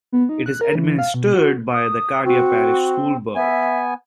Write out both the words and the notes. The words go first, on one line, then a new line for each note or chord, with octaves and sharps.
It is administered by the Acadia Parish School Board.
B3
D#4
F#6
A#4
E3
F5
B2
F#4
D#6
C4 F#4
B3 E5 G#5